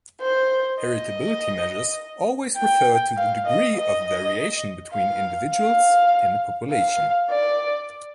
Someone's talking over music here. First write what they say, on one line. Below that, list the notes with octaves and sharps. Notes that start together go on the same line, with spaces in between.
Heritability measures always refer to the degree of "variation between individuals in a population".
C5
D#5
G5
F5
D#5
D#5
F5
F5
F5
D5